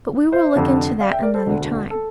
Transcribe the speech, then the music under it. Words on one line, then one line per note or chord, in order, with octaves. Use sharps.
But we will look into that another time.
C5 E5
F1 F2 D3
D5 F5
E5 G5
A#4 D5
A4 C5
E1 D2 D3
A4